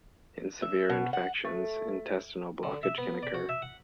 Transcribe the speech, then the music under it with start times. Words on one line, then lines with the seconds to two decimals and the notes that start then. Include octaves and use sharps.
In severe infections, intestinal blockage can occur.
0.62 E5
0.90 B2
1.13 F#5
1.45 A3
2.63 D3
2.83 E5
2.98 B3
3.23 D5
3.34 F#4
3.49 E5
3.62 F#5